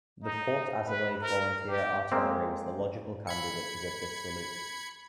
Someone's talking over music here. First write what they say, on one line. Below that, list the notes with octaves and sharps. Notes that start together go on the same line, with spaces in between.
The Port Adelaide volunteer artillery was the logical candidate to give this salute.
D#4
B4
A#4
G4
G#3 A#3 C4
B5 G#6 C#7